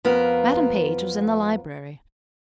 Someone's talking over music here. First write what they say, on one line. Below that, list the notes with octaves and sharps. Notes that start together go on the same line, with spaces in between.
Madam Page was in the library.
F2 B3 F4 A#4